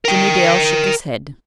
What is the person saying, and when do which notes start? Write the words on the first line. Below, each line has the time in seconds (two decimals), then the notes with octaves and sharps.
Jimmie Dale shook his head.
0.05 A#4 G5